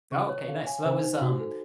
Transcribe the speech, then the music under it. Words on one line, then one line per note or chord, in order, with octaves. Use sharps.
Oh, okay, nice. So, that was, um,
C#3 C#6
C#5
D3 F5
G#5
C#3 C5
D#4
C3 F#4
A4